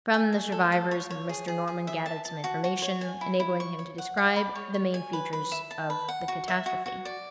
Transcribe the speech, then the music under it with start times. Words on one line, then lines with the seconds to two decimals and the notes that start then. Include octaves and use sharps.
From the survivors Mr. Norman gathered some information, enabling him to describe the main features of the catastrophe.
0.14 G#5
0.33 G#5
0.52 A4
0.72 A4
0.91 C#5
1.10 C#5
1.29 G#4
1.48 G#4
1.68 G#4
1.87 E5
2.06 A5
2.25 A5
2.44 F#4
2.64 F#4
2.82 C#5
3.01 G#5
3.21 E4
3.40 E4
3.60 C#6
3.79 C#5
3.98 F#5
4.17 D5
4.36 B5
4.55 C#5
4.74 C#5
4.94 G#5
5.13 B4
5.33 B4
5.52 E5
5.71 A5
5.90 B4
6.09 F#5
6.28 F#4
6.48 E5
6.66 F#4
6.86 F#4
7.05 D5